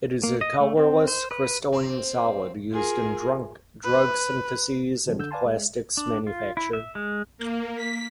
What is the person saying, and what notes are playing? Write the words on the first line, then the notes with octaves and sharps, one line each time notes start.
It is a colorless crystalline solid used in drug syntheses and plastics manufacture.
A#3
D#5
A3
C4
C5
B4
C4
F4 G#4 A#4
B4
D3 D#3 F3 F#3 C4
D3 E6 G6
B4 D5 F5 G#5 A5 C6
G#3
D4
F4
E4
E5
G#3
A#3
B6